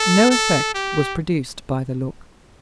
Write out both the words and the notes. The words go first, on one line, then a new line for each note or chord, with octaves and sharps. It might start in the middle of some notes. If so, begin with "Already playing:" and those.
No effect was produced by the look.
Already playing: A4
A4
G4